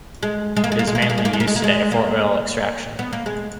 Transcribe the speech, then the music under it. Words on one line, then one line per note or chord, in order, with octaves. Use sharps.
It is mainly used today for oil extraction.
G#3
G#3
A#3
G#3
A#3
G#3
A#3
G#3
A#3
G#3
A#3
G#3
A#3
G#3
A#3
G#3
A#3
B3
A#3
G#3